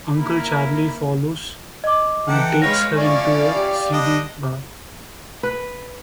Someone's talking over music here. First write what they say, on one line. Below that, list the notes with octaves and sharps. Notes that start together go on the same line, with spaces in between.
Uncle Charlie follows and takes her into a seedy bar.
A#3 E4 A#4 B5
D#5 D6
E3 A4 F#5 G5 A#5
G#3 B4 C#5 F5 F6 A#6
F3 C#4 E4 D5 F5 C#6
G4
G3 D4 D#5
B4